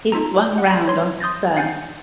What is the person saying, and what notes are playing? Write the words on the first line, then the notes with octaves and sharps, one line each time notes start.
He swung round on his son.
D#4 F4 A4 A#5
F#5
B5
C#5 C6
C6 D#6 G6 A6 A#6
F5 F#5 G#5 G6 A6